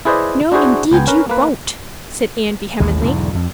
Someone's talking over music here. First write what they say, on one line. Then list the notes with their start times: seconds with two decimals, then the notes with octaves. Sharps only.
"No, indeed, you won't," said Anne vehemently.
0.05 E4 G#4 B4 C5 D5 D#5
0.52 D4 E4 F#4 G#4 C5
0.91 C#2 B3 G5 G#5
1.08 C#4 A#4 B4
1.29 A#3 B4
2.80 A1 D#2 A2 G#3
3.04 B1 E2 G#2 D3
3.35 F2